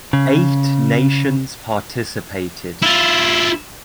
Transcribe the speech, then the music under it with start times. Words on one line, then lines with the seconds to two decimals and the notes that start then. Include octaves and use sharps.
Eight nations participated.
0.13 C#3
2.82 E4 F4